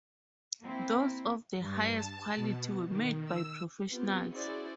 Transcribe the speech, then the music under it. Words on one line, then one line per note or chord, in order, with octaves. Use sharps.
Those of the highest quality were made by professionals.
A#3 C4 E4
G2
A5
B2
D#3
E6
B3 C4 F4 G4
C#4 E4 F#4 G#4 C5 D5